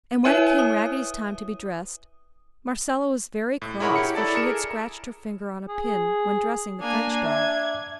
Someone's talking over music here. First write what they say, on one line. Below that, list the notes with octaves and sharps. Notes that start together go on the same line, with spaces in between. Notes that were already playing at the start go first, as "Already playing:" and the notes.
And when it came Raggedy's time to be dressed, Marcella was very cross for she had scratched her finger on a pin when dressing the French doll.
E4 B4 C#5 E5 G#5 D#7
D#6
A2
E4 G#4 A#4 C#5 F#5 B5
E4 G4 C#7
E4 A4 D5 A5
G#4 A#4 C#7 E7
G#4
A#3 D4 G#5
E5 G#6